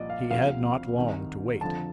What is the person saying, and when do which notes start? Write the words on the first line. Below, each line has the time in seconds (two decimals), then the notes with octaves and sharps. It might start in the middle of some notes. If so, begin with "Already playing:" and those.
He had not long to wait.
Already playing: C2 A#2 F3 D5 D#5
0.10 F5
0.30 D2 C3 F3 F5
0.96 C2 C3 D#3
1.61 F2 D3 F3 A5